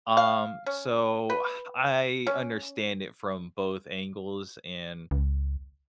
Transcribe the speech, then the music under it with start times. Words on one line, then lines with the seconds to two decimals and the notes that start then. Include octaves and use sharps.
Um, so I understand it from both angles and,
0.17 F5
0.66 C#4
1.30 B4
2.27 C#4
5.11 C#2